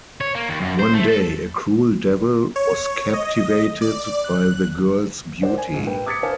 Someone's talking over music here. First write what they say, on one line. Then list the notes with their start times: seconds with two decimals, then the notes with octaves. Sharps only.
One day, a cruel devil was captivated by the girl's beauty.
0.21 C#5
0.35 A#3
0.49 D#2
0.61 F#2
0.79 C5
0.94 A3
1.08 A4
2.56 C#5
3.13 D#5
3.81 D5
4.24 F#6
5.42 C5 D5 F#5
5.58 G#5
5.74 A#1 G#2
5.87 B4 G5
6.06 D6 D#6 G#6 A6 B6 C#7
6.23 B4 C5 F5 G#5 A5